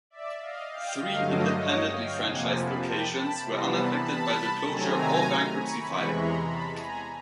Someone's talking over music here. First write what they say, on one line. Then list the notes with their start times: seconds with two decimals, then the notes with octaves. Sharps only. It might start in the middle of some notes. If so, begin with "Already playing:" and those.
Three independently-franchised locations were unaffected by the closure or bankruptcy filing.
0.10 D5 E5
0.40 D#5 F5
0.71 F5 G5
1.00 G2 D3 F#3 A3 D#5 F5
1.31 C#5 D#5
1.61 C#5 D#5
1.91 F5 G5
2.21 F2 C3 F3 A#3 F#5 G#5
2.52 A5 B5
2.82 G5 A5
3.12 A5 B5
3.42 C3 E3 G3 B3 A#5 C6
3.72 A5 B5
4.02 A5 B5
4.63 C3 D#3 F#3 A3 C4 G#5 A#5
5.54 B5 C#6
5.84 E2 C3 E3 G#3 B5 C#6
6.14 A#5 C6
6.44 A5 B5
6.74 G#5 A#5